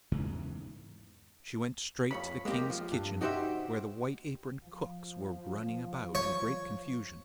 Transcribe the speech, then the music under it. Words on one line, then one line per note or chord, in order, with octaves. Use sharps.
She went straight to the King's kitchen, where the white-aproned cooks were running about in great confusion.
E2 G#2 C#3 E3
F2 C#5 B5
G#3 A#3 C4 G4
F3
G2
D#4 F#4 G4 C5 D5 E5
F3
C#5